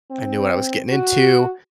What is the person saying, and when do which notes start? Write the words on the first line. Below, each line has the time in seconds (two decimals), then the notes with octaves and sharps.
I knew what I was getting into.
0.11 C4
0.89 F#4